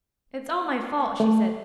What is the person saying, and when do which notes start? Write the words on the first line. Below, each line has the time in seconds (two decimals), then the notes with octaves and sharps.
'It's all my fault,' she said.
1.20 A3